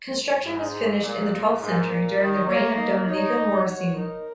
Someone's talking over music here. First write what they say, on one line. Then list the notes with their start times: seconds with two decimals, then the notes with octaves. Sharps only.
Construction was finished in the twelfth century, during the reign of Domenico Morosini.
0.42 G#2
0.72 G#4
1.00 A#2
1.30 A#2
1.59 G#2 A#4
1.88 A#2
2.18 D#3
2.47 A#3 C#5
2.76 D#4
3.06 D#4 C#5
3.35 D#5
3.64 F#4 C#5
3.93 D#4 A#4